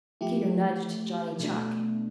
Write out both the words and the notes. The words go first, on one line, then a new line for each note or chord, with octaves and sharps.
Peter nudged Johnny Chuck.
F3 A3 E4 G4
B2 A3 D4